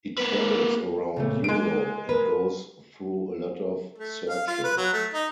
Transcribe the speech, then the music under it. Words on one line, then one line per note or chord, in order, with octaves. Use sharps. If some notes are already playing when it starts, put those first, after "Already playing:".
He travels around Europe and goes through a lot of searching.
A#3 B4
A#2 C#3 A3
G#3 A#3 D7
A#4 B4
A3
F5
F4
B4
F#3
A3
D#4